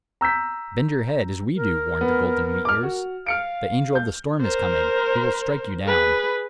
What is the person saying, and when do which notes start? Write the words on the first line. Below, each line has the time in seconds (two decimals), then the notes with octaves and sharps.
"Bend your head, as we do!" warned the golden wheat-ears; "the angel of the storm is coming; he will strike you down."
0.21 A#5 E6 G6 B6
1.56 A#4
2.01 B3
2.65 D6 F6
2.83 F#4
3.26 F5 F6 C#7 D7
3.95 G6
4.41 A#4 C5
5.85 G#4 B4